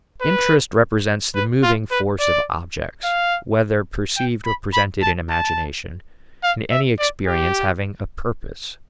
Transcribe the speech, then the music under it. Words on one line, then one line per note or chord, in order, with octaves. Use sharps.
Interest represents the moving force of objects--whether perceived or presented in imagination--in any experience having a purpose.
B4
B4
F4
B4
D5
F5
G5
B5
B5
A5
A5
F5
E5
D5
G4